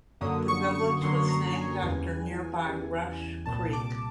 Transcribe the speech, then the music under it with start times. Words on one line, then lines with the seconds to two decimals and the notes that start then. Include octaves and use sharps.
The village was named after nearby Rush Creek.
0.21 F#2 D3 F#3 A#3 D#6
0.48 C#6
0.75 C#6
1.02 F#2 D3 F#3 A#3 C6
1.29 A#5
1.56 G#5
1.83 E2 C#3 E3 G3
2.65 E2 C#3 E3 G3
3.46 C2 A#2 G3 A5
3.73 D6